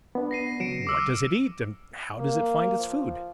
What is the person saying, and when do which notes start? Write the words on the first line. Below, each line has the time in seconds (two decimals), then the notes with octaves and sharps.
What does it eat, and how does it find its food?
0.15 B3 D4
0.31 A#6 C7 D#7
0.60 C#2 F#3 C#7 D7 E7
0.87 D6 E6 F6
2.18 A#3
2.79 F3